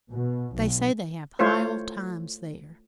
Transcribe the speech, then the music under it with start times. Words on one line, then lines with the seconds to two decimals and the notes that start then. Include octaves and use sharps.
They say they have high old times there.
0.12 B2
0.55 B1
1.39 A3 E4 F4 C5 C#5